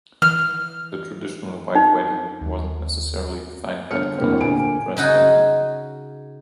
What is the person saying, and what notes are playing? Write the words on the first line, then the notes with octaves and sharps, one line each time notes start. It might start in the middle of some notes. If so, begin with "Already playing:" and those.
The traditional white wedding wasn't necessarily defined by the color of the dress only.
E3 F6
D#4
D#2
G1 F6 C#7
E2 D3 E3 A#3 C4
D2 A#2 D3 G#5 D7
C#3 D#4 F#4 G#4